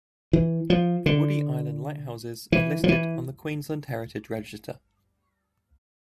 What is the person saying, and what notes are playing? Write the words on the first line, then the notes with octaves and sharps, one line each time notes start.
The Woody Island Lighthouses are listed on the Queensland Heritage Register.
E3
F3
D3
E3
F3
E3